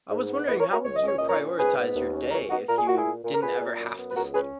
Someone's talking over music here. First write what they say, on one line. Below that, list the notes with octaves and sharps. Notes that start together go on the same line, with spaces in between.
I was wondering how would you prioritize your day if you didn't ever have to sleep?
G#2
B3
E2 B4 D#5
A#4 C#5
C#4
F#4 A#4
C#2 C#5
D#5
C#4 C#5
A#2 D#5
A#4 C#5
C#4
G#2 G#4 B4
B3
D#2
C#4
C#2 A#4 C#5
B3 D#4 F#4
A#2 A#4
G#4
A#2 F#4
E4 G#4
A#2
A#2
A#4
A#2 G#4 B4
A#2
F#2
B3
B4
C#2 F#4 A#4
C#4 G#4 B4